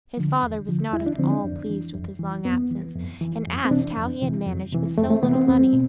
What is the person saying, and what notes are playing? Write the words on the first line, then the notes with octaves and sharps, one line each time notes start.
His father was not at all pleased with his long absence, and asked how he had managed with so little money.
D3 F3
E2
D3 F3
E2 E4
D4
D3 F3 C4
D4
F2
E3
F2
E3
F2 B3
E3
F2
E3
F2
C4
C3 E3 D4
F2
C3 E3
F2
C3 E3
F2 A3
A3
C3 E3 B3
C4
E2 C4
B2